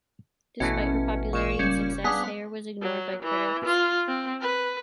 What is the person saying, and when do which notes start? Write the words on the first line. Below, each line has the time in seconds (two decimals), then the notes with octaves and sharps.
Despite her popularity and success, Heyer was ignored by critics.
0.60 A1 B2 E3 A3 C#4
1.33 A#2 C#6 E7
1.59 F#1 G3 C#4
2.04 B3 D4 G#4 F5 F#5
2.82 F#3
3.23 E3
3.65 F4
4.08 C4
4.41 B4